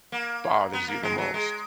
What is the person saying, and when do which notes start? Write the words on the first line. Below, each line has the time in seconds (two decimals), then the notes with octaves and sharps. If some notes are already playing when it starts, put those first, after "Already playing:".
bothers you the most?
0.12 A#3
0.73 B3
0.88 A#3
1.03 G#3
1.18 F#3
1.34 G#3